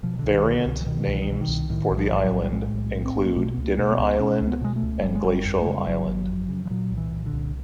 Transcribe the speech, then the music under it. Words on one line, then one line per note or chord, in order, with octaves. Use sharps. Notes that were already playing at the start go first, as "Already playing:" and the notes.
Variant names for the island include Dinner Island and Glacial Island.
B2 F3
C2 D3
D#3
B2
D3
C2
E3
B2 D#3
C2
E3
D#3
B2 E3
D#3
C2
A2 D#3
B1
F3
A2
F#3
B1
G3
A2 G#3
B1
A2
C4
B1 B3
A#3
B2 A3
C#2 B3
A#3
B2
B3
C#2
B2 C#4
C#2
B3
B2 G#3
A3
C#2
G1 G3
G#3
G1 G3
F2
A3
C#3 G#3
G3
G1 F#3
G1
F2
C#3
F3
A#2 F#3
C2
E3
A#2
D3
C2